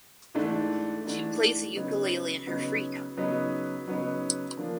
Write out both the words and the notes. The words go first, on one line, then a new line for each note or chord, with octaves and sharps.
She plays the ukulele in her free time.
G#2 E3 A3 D4
G#2 E3 A3 D4
C#3 F#3 B3 D#4
C#3 F#3 B3 D#4
C#3 F#3 B3 D#4
C#3 F#3 B3 D#4
F3 A#3 D4 F4